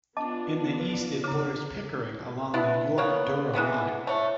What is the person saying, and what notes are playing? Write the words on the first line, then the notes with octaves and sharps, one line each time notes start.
In the East it borders Pickering along the York-Durham Line.
B3 D4 F4 D#5 A5 D6
B4
C#3 E4 D6
B3 D4 E4
A#3 B3 C#5
E3 G#3 B3 C4
A3 C#5